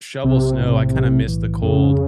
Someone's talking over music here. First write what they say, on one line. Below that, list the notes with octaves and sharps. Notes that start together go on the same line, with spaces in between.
shovel snow, I kinda miss the cold.
B1 C3
A2
B1
E3
F2 C#3